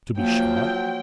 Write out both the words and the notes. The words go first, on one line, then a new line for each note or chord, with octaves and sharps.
To be shot?
F3 F#3 A#3 G5